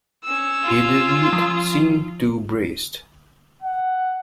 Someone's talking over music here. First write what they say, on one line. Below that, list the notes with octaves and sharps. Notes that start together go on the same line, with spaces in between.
He didn't seem too braced.
C#4 E6
F4
F3
F#5